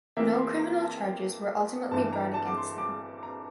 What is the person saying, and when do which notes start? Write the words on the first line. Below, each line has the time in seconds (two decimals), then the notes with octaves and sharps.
No criminal charges were ultimately brought against them.
0.17 F2 E3 A#3 E5
0.38 C6
0.59 A#5
0.82 A5
1.04 G5
1.91 G1 G2 E3 A5
2.13 A#5
2.34 A5
2.46 D6
2.57 C6
2.78 D6
3.23 A#5